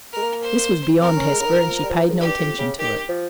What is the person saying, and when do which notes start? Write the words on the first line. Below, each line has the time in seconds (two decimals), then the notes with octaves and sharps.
This was beyond Hesper, and she paid no attention to it.
0.12 G#3 A#4
0.22 A#3
0.42 C5
1.01 C4 A#4
1.17 C#4
1.31 G#3
1.40 C#3
1.45 D#3
1.60 F3
1.84 G3
1.90 F3
2.11 G#2
2.19 G2 G4
2.39 F2
2.58 C#3
2.78 D#3 G4
3.09 F3